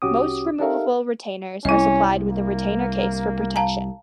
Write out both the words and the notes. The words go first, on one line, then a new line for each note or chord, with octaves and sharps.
Most removable retainers are supplied with a retainer case for protection.
C2 C#4 F#4 G4 D6 D#6
D#4 G4 A4 A#4 E5 F5
C2 C#4 E4 D#5
A#3
F5 A5 A#5